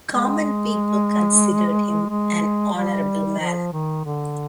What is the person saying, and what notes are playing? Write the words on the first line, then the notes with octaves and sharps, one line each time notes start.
Common people considered him an honorable man.
G#3
G#3
G3
F3
D#3
D3